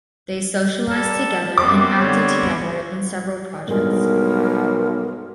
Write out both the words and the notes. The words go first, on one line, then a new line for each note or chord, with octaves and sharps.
They socialized together and acted together in several projects.
G3 A4 A5
F#2 G3 B3 C4 D6
D3 C#5
B1 G2 G#3 A#4